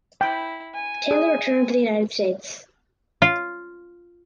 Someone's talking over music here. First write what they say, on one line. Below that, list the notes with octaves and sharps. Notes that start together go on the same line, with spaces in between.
Taylor returned to the United States.
E4 G5 B5
G#5
G#4
F4